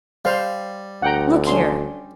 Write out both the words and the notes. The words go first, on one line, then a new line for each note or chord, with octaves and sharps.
"Look here!"
G3 C5 F5
D2 F#5 G5 A#5
C#4 D4 C6